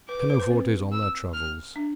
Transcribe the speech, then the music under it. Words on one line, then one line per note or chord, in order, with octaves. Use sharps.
Pianofortes on Their Travels.
B4 D6
B4
C5
B4
C4
E6
F6
D4